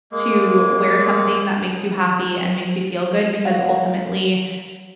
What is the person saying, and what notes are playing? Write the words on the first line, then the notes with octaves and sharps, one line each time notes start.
to wear something that makes you happy and makes you feel good because ultimately
G#3 A#3
F#4 F5